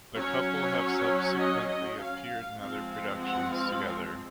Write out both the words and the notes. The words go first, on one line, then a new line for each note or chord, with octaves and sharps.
The couple have subsequently appeared in other productions together.
F#3 C#4 C#5
D#5
D#5
F5
F3 G#3 C4 F5
F5
F#5
F5